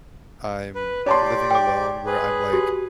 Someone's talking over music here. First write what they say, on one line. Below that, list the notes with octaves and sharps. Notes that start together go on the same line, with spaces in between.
I'm living alone where I'm, like,
B4
G4 C#5 D5 A5 C6
G5 D6
G#4 B4
F#4 G4